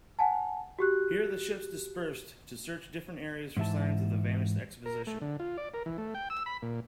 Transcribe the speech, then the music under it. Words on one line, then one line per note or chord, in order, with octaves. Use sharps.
Here the ships dispersed to search different areas for signs of the vanished expedition.
F#5 G#5 A5
F#4 G4 F#6
G#2 E3 E5 A5
A#4
A3
D3
F4
D5
A#4
E3
A3
G5
E6
B5
A#2